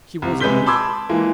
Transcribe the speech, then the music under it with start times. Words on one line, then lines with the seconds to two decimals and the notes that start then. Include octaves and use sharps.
He was uneasy.
0.22 C2
0.40 C3 G#3 B4 G6 B6 G7
0.66 A5 B5 C6 D6 E6 G#6
1.09 E3 G#3 A#3